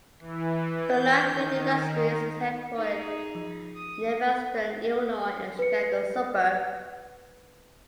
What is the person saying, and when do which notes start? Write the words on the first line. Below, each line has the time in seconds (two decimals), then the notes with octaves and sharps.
Bernard Food Industries is headquartered in Evanston, Illinois, a Chicago suburb.
0.20 E3
0.84 G6
1.25 D#3
2.76 D#4 G#4
3.35 F3
3.75 D#6
5.59 B4 C#7